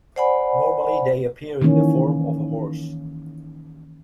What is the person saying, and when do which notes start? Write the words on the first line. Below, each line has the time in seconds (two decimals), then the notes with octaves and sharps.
Normally, they appear in the form of a horse.
0.16 C5 D5 F#5 G#5 B5
1.62 D#3 E3 A#3 C#4